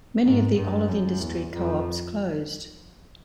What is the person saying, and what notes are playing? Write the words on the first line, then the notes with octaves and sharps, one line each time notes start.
Many of the olive-industry co-ops closed.
G#2
G2
F#2
E2
F2